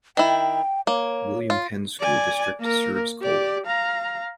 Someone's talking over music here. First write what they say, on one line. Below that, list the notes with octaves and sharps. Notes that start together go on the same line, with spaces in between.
William Penn School District serves Colwyn.
D#3 E4 G5
A#3 C#5
F4
D5 G#5
A#3 A#4
G4 D5
F5 A#5